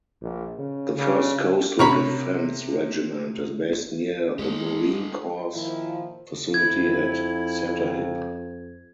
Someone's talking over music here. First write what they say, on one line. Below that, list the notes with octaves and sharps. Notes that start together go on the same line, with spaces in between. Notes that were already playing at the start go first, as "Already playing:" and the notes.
The First Coastal Defence Regiment is based near the Marine Corps facility at Sattahip.
A#1
C#3
C#3
C3 A#4 C#5 B5
G#3 G4 A4
A#2 D#3 F3 E4
F2 E4 G#6